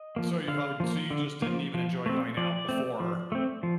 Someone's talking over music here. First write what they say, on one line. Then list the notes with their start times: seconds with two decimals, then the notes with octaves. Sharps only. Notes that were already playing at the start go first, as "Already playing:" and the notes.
So you, uh, so you just didn't even enjoy going out before
Already playing: D#5
0.16 F3 A#3
0.48 D3 F5
0.80 F3 A#3
1.10 D3
1.42 F3 A#3
1.74 F3
2.06 A3 C4
2.37 F3 D5
2.69 A3 C4
3.00 F3
3.32 A3 C4
3.63 F3